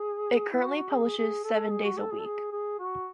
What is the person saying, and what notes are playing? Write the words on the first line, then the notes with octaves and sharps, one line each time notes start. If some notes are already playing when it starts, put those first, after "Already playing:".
It currently publishes seven days a week.
Already playing: G#4
E4
F#4
F#4
G#4
G#4
G#4
A4
G#4
F#4
A4
G#4
A4
G#4
G#4
F#4